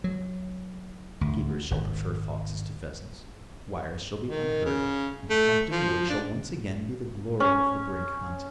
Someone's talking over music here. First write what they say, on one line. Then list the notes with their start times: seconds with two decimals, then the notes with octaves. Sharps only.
Keepers shall prefer foxes to pheasants, wires shall be unheard of, and Trumpeton Wood shall once again be the glory of the Brake Hunt.
0.04 F#3
1.21 D2
1.71 G#1
4.27 D#3
4.66 C#3
5.30 A3
5.72 F3
6.10 D4
7.40 C#4